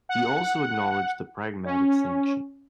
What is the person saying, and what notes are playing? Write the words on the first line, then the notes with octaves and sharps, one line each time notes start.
He also acknowledged the Pragmatic Sanction.
F#5
C#4